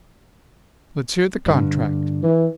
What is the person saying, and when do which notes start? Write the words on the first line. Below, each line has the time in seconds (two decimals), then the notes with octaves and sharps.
"Let's hear the contract!"
1.46 G2 D3
2.23 E3